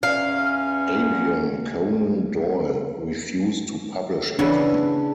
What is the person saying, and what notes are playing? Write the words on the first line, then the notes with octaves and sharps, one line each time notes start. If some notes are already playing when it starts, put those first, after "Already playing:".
Adrian Conan Doyle refused to publish it.
E2 C#4 F5
C#3 E3 B3 D4